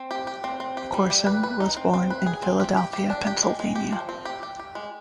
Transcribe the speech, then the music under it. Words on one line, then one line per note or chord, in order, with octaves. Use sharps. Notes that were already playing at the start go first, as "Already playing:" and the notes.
Corson was born in Philadelphia, Pennsylvania.
Already playing: C4
G4
G4
C4
C4
G4
G3
G4
B4
B4
D#4
C4
C4
B4
G#4
C4
G4
G4
G4
D4
G4
G#3
G#3
G4
F3
C4
G4
G4
G4
G#3